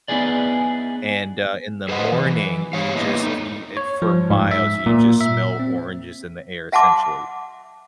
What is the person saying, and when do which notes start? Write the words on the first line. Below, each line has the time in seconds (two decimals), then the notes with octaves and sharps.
and, uh, in the morning, you just you if for miles, just smell oranges in the air essentially,
0.08 B3 D#4 E4 G#4 D5
1.89 G#4 A4 B4 C5 D#5 F#5
2.12 E3
2.26 E3
2.73 G4 C#5 F5
2.95 A#3 B3 E4 D#5 E5
3.23 A3 D#4
3.77 C#5
4.02 F3
4.30 G#2
4.51 E5
4.86 A#2
5.21 E5
5.59 C4
6.72 E5 F#5 A5 C6 D6